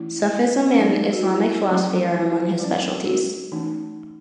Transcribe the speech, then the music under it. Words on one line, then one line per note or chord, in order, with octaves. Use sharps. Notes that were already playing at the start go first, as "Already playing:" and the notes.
Sufism and Islamic philosophy are among his specialities.
Already playing: E3 A3 C#4 E4
F#3 B3 D#4
F#4
E4
F#3 A3 C#4
E4
F#3 C#4
F#4
E3 A3 C#4 D#4